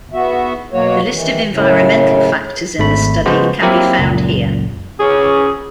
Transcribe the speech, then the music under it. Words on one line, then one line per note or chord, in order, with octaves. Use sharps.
The list of environmental factors in the study can be found here.
B3 F#4 E5
B2 F#3 A#3 F#4 C#5
D#3 E3
F#2 A2 C#3
G#1 A3 B5
C#3 F3 G#3 B3 F#4 C5
F#3 A#3 C4 E4 G4 A#4
C#2 F#2 A#2
C#3 C#4 G#4